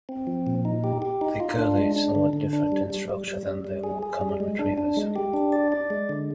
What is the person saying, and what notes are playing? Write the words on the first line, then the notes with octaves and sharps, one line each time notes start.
The Curly is somewhat different in structure than the more common retrievers.
C4
F3
A#2
D#4
G4
G4
D#4
F4
D4
G#3
D4
D3
D3
D4
G3
G3
G3
G3
G3
G3
G#4
G#4
G3
G#3
D4
D4
G#3
G4
D4
D5
D5
G#3
D3